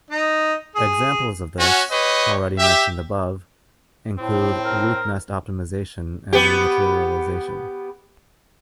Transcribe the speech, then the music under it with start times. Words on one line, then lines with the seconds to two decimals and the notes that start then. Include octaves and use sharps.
Examples of this, already mentioned above, include loop nest optimization and rematerialization.
0.10 D#4
0.75 G#4
1.58 C#4 F#4
1.91 G4 B4 C#5 D#5
2.58 G4 E5
4.18 A2 C4
4.65 A#4
6.33 B3 G4